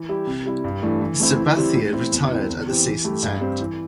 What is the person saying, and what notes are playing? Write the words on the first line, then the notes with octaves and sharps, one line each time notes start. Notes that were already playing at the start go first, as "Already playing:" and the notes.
Sabathia retired at the season’s end.
Already playing: E3
G3 E4 G4
C3
G3 E4
G2
E3 A3 D4
E3
A3 C4 E4
E3
G3 C4 E4 G4
A2
E3 C4 E4
E2
D3 C4 E4
E2
E3 C4 G4
E3
A3 E4 G4
G2
G3 C4
E3